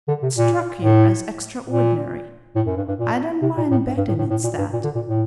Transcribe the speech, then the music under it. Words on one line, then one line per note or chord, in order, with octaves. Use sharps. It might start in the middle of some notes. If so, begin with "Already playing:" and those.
It struck you as extraordinary; I don't mind betting it's that.
D3
C3
A#2
A2
A#2
A2
F#2
G2
G2
A#2
C3
A#2
A2
G2
G2
A2
A2
A2
A#2
G2
A#2
D3
A#2
A2